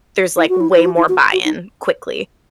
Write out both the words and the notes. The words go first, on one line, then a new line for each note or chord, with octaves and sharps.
there's, like, way more buy-in, quickly.
E4
F#4
E4
E4
F#4
E4
F#4
F#4
D#4